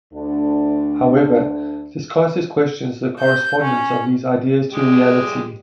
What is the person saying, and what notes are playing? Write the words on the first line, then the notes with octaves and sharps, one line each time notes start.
However, Descartes questions the correspondence of these ideas to reality.
D2 D4
G6
C#4
G#3 G4